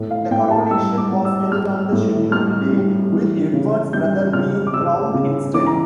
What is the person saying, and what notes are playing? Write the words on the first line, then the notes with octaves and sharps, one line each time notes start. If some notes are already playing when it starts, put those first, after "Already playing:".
The coronation was held on the scheduled day, with Edward's brother being crowned instead.
Already playing: A2
F5
A2 G5
A5
G3 E6
D6
G3
E6
G3 F6
A2
G3 F6
G3
E3
C#3
G3 G6
C#3 F6
D6
C#3 E6
C#3
E3 D6
A#5